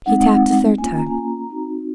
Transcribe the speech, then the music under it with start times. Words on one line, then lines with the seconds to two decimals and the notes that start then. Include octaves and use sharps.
He tapped a third time.
0.06 G#3 C4 D#4 F#5
0.78 A#3 C#4 F4 G#5
0.97 A#5
1.06 G#5
1.18 A#5
1.50 C4 D#4 F#4